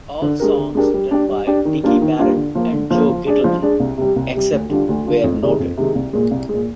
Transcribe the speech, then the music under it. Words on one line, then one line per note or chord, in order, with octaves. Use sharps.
All songs written by Dicky Barrett and Joe Gittleman, except where noted.
D3
G#3 D4 G4 A#4
D3
G#3 D4 G4 A#4
G3
D4 G4 D5
G3
D4 G4 D5
D#3
G3 A#3 D4 F4
D#3
G3 A#3 D4 F4
D3
F3 A#3
D3
F3 A#3
F3
G#3 D4 G#4 D5
F3
G#3 D4 G#4 D5
C2
C3 G3
C2
C3 G3
D2
D3 G3 D4 F4
D2
D3 G3 D4 F4
F2
C3 D#3 G#3 D#4
F2
C3 D#3 G#3 D#4
C2
A#2 G#3
C2
A#2 G#3